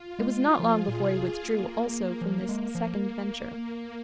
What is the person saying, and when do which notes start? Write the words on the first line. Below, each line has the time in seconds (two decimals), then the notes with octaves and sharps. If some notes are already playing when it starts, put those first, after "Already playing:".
It was not long before he withdrew also from this second venture.
Already playing: F4
0.18 G#3 F4
0.59 F3 G#4
0.88 A#2
1.00 C3
1.40 A#3
1.81 A#3
2.21 F3
2.49 G#3
2.75 F3